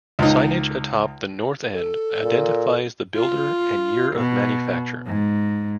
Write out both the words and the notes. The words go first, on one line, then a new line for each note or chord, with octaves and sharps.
Signage atop the north end identifies the builder and year of manufacture.
C#2 D#4
A4
A#2
F4
B2
G#2